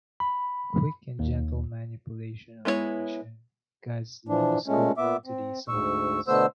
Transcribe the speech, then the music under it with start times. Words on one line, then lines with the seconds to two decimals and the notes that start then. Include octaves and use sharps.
Quick and gentle manipulation under vision guides the endoscope into the esophagus.
0.20 B5
1.19 D#2
2.65 G#3 B3 E4 F4 C#5
4.29 E3 F3 D4
4.67 A#2 G#3 A3 C#4
4.98 A#2 B3 E5 D6
5.26 C4
5.68 D2 G#2 C#6 E6
6.28 B2 D3 A3 B3 C5 E6